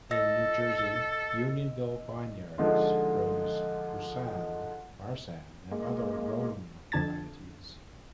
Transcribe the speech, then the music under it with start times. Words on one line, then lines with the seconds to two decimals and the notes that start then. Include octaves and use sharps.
In New Jersey, Unionville Vineyards grows Roussanne, Marsanne, and other Rhone varieties.
0.11 A4 D#5 E6 A#6
2.58 D3 F3 G#3 D#4 F4
5.72 G#3 A#3
6.92 F2 D3 D4 A5 G#6 A6